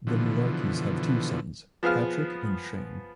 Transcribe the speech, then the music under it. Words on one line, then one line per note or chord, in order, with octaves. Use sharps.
The Mularkeys have two sons, Patrick and Shane.
B2 D3 E3 F3
F3 B3 G#4 F5 F6